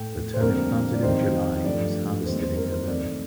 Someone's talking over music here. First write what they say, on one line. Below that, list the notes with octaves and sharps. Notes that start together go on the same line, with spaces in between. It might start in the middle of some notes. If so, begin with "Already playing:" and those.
The turnip planted in July is harvested in November.
Already playing: A2 A3 G5
C5
F2 D3 G3 A#3 A#4
D5
F2 D#3 G3 C5
G2 F3 A3 D5
F2 D#3 G3 A#3 C5
C5
A#4
C5
F2 D#3 A3 D5